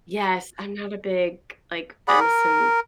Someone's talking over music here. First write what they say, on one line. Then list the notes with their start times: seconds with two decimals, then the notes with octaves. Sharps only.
Yes, I'm not a big, like, venison,
2.08 G#4 D5 F#5 B5
2.20 A#4